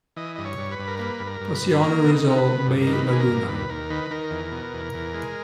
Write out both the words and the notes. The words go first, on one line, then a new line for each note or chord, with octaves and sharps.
Paciano Rizal, Bay, Laguna.
E3 D#5
G2 D#5
C#5
G2
B4
G2
A#4
A#3 B4
G2
A#4
G2
B4
G2
A#3 A#4
B2
D#4
B2
A#4
B4
B2
G2
D#3 A#4
B4
A#3
G#4
A#4
G2
D#2 B4
D#2 A#4
D#3 B4
D#3 A#4
E2
B2
E2
E2
G#3